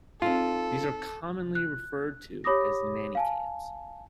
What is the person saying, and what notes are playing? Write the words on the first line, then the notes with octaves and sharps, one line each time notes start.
These are commonly referred to as nanny cams.
C4 D#4 F4 G#4 A4
F#6
G4 C#5 B5 D6 D#6 A#6
F5 G#5 A5